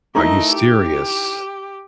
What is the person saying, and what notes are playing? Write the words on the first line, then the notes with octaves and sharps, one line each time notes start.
Are you serious?
A3 D#4 E4 A#4 D#5
G4